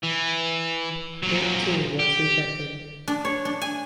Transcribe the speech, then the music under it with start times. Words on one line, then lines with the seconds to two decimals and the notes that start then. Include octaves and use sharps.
It too was rejected.
0.04 E3
1.23 A#2 F#3
1.99 G4
3.08 D4
3.25 C#5
3.45 D4
3.61 G#5